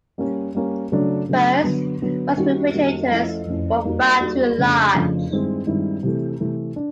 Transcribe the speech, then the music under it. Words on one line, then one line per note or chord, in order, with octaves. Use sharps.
First, most refrigerators were far too large.
G3 A#3 C#4
G3 A#3 C#4
C#3 F#3 A3 D4
C#3 F#3 A3 D4
D3 F#3 B3
D3 F#3 B3
D#3 G3 A#3 C#4 F#4
D#3 G3 A#3 C#4 F#4
F3 A3 C#4 E4
F3 A3 C#4 E4
G3 A#3 D#4 F#4
G3 A#3 D#4 F#4
F2 C#3 F3 A3 D4
F2 C#3 F3 A3 D4
G2 D#3 G#3 C4 E4
G2 D#3 G#3 C4 E4
C3 E3 A3
C3 E3 A3
D4